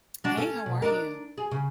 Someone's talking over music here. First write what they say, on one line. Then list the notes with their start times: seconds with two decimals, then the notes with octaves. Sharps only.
Hey, how are you?
0.24 D4 F#4
0.37 C#4 A4
0.66 B2
0.82 D4 D#4 A#4
1.37 G#4
1.51 C#3